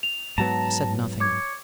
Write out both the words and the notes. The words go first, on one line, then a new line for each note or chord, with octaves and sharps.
I said nothing.
F7
G#2 F#3 B3 A5 A#5
C#5 D6 G#6